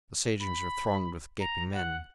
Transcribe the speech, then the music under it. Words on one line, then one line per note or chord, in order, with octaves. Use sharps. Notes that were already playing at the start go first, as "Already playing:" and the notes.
The stagings were thronged with gaping men.
B5
A#5
F#5